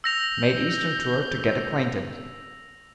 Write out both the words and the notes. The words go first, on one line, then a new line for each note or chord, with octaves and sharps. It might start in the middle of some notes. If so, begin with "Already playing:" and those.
Made Eastern tour "to get acquainted."
E6 G6 A#6 F7